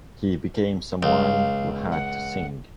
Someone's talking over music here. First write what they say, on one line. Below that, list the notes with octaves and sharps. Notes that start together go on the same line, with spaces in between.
He became someone who had to sing.
C#2 F5
F#5